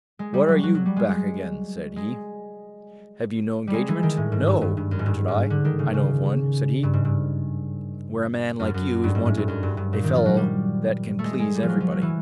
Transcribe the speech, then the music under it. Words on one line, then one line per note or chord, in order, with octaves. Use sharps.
"What, are you back again?" said he, "Have you no engagement?" "No!" answered I. "I know of one," said he, "where a man like you is wanted--a fellow that can please everybody."
G#3
G3
F#3
F#3
F#3
G3
G#3
G#3
G3
G#3
E3
D#3
A2
G#2
G2
G2
G2
F#2
G#2
G2
G#2
D3
D#3
C#3
C#3
G2
G#2
G2
F#2
F#2
G2
G#2
A2
G2
F#2
G2
G2
A#2
D#3
F3
F#3
G3
A3
G#3
G#3
G3
F3
F#3
F3
F#3
E3